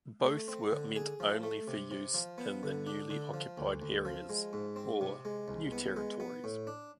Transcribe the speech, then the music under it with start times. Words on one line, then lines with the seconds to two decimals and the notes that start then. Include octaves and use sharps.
Both were meant only for use in the newly occupied areas, or "New Territories".
0.25 A3
0.48 C4
0.71 D3
0.96 G#4
1.20 F3
1.43 A3
1.68 C3
1.91 C3
2.14 F3
2.38 B3
2.63 D3
2.87 D4
3.10 D3
3.34 F3
3.58 D2
3.82 D2
4.05 F3
4.29 G#3
4.53 G#2
4.76 C4
5.01 C3
5.25 G#3
5.48 C2
5.72 B3
5.96 G#3
6.20 B3
6.44 A2
6.67 D4